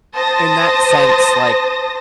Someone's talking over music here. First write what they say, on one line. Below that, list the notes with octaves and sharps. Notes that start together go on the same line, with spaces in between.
in that sense, like
C5 A5 D#6 A#6